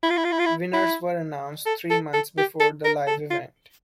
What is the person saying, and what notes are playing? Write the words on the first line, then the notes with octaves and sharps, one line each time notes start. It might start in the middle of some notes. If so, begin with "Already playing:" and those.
Winners were announced three months before the live event.
E4
F4
E4
F4
E4
F4
E4
E4
A4
A4
A4
G4
A4
A#4
A4
F4